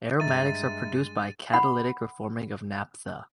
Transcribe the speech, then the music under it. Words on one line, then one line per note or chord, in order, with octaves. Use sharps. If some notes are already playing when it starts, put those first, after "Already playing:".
Aromatics are produced by catalytic reforming of naphtha.
G2 G#3 D#5 E5 A#5 A6 D#7
F#5 B5